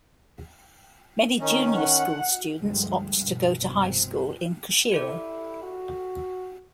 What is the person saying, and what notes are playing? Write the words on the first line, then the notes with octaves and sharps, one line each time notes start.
Many junior school students opt to go to high school in Kushiro.
D#3 C#4 D#4
F#5
D2 G2 D3 F3 G3 G#3
G1 G2 B2 D3
F1 G2 B2 C4
E4 G4 A4 D5
F#4